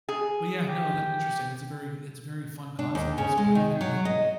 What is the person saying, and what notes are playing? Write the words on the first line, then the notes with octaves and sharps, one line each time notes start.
but yeah, no, that's interesting, that's a very it's a very fun concept, I'm surprised it hasn't happened yet.
G#4
G4
D4
D#2
C#3
G#3
D#3
F#3
D#5